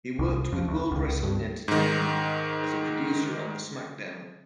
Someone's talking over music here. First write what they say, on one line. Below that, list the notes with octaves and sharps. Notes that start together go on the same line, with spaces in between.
He worked with World Wrestling Entertainment as a producer on the SmackDown!
C2
F2
D2
C#2
G2
G#2 D#3